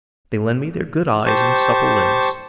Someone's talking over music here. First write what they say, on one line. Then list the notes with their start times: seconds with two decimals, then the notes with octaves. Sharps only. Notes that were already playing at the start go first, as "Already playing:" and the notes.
They lend me their good eyes and supple limbs.
1.26 G4 C5 A5 C#6